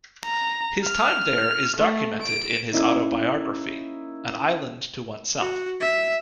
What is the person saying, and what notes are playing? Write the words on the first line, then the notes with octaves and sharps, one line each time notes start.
His time there is documented in his autobiography, "An Island To Oneself".
A#5
F6
A3
D7
A#3 C#4 D#4 E4
F#4
E5